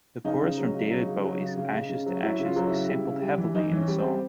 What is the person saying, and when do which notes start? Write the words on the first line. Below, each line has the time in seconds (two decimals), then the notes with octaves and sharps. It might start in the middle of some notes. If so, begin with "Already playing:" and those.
The chorus from David Bowie's "Ashes to Ashes" is sampled heavily in the song.
0.25 C#3 D#4
0.42 C#3
0.58 F#3
0.74 C#3
0.91 F#3
1.07 C#3
1.24 F#3
1.40 C#3
1.57 C#3
1.73 C#3
1.89 C#3
2.06 F#3
2.22 F#3 E4
2.39 C#3
2.45 F4
2.56 F#3
2.67 C#3 E4
2.88 G3
3.05 C#3
3.22 G3
3.38 E3
3.54 E3 D#4
3.71 E3 C#4
3.88 G3
3.98 C4
4.04 G3